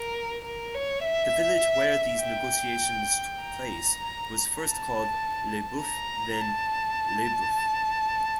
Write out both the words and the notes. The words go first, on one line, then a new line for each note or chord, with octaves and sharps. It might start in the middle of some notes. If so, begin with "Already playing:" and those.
The village where these negotiations took place was first called "Les Boeufs" then "Lesboeufs".
Already playing: A#4
A#4
C#5
E5
G5
A#5
A5
A#5
A5